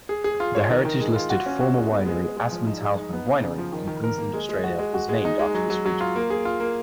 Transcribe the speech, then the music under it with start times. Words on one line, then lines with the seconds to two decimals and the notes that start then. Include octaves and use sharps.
The heritage-listed former winery Assmanshausen Winery in Queensland, Australia, was named after this region.
0.09 G#4
0.24 G#4
0.40 F4
0.55 C#5
0.70 D#3
0.85 D#3
1.00 G#3
1.16 F4
1.30 F#4
1.46 C#4
1.61 F#4
1.76 G#3
1.91 B3
2.06 G#3
2.21 G#3
2.37 G#3
2.52 F3
2.67 D#4
2.81 G#3
2.97 D#4
3.13 B3
3.28 B3
3.42 C#3
3.58 F3
3.73 D#3
3.87 D#3
4.04 A#4
4.18 A#3
4.33 G#3
4.49 G#3
4.64 F#4
4.79 G#3
4.94 F#4
5.09 G#3
5.25 D#4
5.39 G#3
5.54 F#3
5.70 F#3
5.86 F#3
6.01 F4
6.16 A#3
6.30 G#4
6.45 F4
6.60 A#3